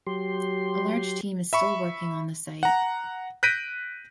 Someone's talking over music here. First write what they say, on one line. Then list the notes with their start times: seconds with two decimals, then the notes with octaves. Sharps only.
A large team is still working on the site.
0.07 F#3 G4 C6
1.53 E5 B5 C#6
2.63 F#5 A#5
3.43 F#6 G6 A#6 B6 D7 D#7